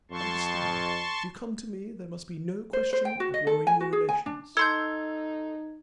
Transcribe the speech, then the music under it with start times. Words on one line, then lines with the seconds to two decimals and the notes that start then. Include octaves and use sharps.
But understand, if you come to me, there must be no question of worrying your relations.
0.11 F2 A5 C6 C#6
2.73 C5
2.93 C5
3.05 G5
3.20 F#4
3.34 D#5
3.47 A4
3.67 G#5
3.81 F#4
3.93 G#4
4.09 G#5
4.26 D4
4.57 D#4 A4 C6 E6 G6 G#6